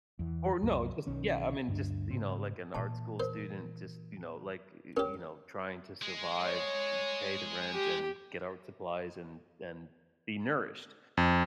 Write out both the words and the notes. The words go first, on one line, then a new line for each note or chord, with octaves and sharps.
Or no, just, yeah, I mean, just, you know, like, an art school student just, you know, like, y y you know, trying to survive, m pay the rent, and get art supplies, and and be nourished,
E2 E3
C2 F#2 F#3
B1 D#3 C#4
D2 G2 G#3 D4
G#2 C#3 C4
A#2 E3 A5
A#4 C5
C#4 G4 A#4
G#3
C#5
G4
F2